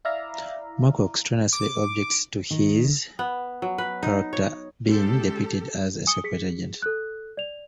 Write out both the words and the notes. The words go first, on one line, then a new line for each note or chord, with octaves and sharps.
Moorcock strenuouly objects to his character being depicted as a 'secret agent'.
E4 D5 E5 F5 A#5
D6
D#3
B3
F#3
B4
D#4
C#5
G#3 C#4 G4 A4
G#5 D#6 C#7 G7
G#4 B6 C#7
A4 F#6
D5 F7